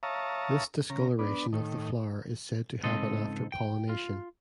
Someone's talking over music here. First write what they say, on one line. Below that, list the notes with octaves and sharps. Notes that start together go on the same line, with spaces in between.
This discoloration of the flower is said to happen after pollination.
C#5 E5 F5 A5 A#5 D#6
C#3 A#5
B3 D4
A2 D#3
C#2 G#2 C4 A4 D#5 C6
G5
F4